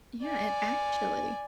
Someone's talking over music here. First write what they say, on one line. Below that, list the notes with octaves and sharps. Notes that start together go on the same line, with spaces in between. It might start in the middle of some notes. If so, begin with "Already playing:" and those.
Yeah. And, actually"
D5 G#5